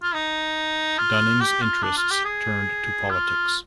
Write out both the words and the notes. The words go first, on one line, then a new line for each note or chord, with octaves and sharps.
Dunning's interests turned to politics.
F4
D#4
F4
G4
F4
D4
F4
G4
G#4
F4